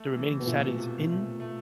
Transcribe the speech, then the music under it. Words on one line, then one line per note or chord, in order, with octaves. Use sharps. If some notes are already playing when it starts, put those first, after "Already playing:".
the remaining Saturdays in
Already playing: A3
E3
B2
A#2 A3
C3
A3
A3